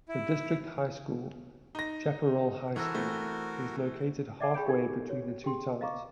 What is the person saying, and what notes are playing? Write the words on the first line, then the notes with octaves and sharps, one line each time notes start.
The district high school, Chaparral High School, is located halfway between the two towns.
E4
D#4 A#6
E3 F#4 A4 A#4 E6
A3 C4
D5 E5 G5 D6 G#6 C7
G#4 G5 B5 G6 D7
D#4 G4 A4 A#4 G#5 G#6
F#4 C#5
G4 G#4 G5 C6
D#5 F5 A#5 C#6 D6